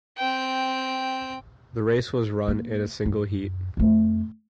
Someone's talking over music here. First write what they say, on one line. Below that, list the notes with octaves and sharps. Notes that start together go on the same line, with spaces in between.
The race was run in a single heat.
C4 G5
A#3
F#2
F2 A3